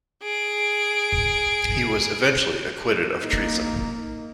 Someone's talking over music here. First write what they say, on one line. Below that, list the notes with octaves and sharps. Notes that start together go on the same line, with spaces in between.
He was eventually acquitted of treason.
G#4 D7
A#3 D#4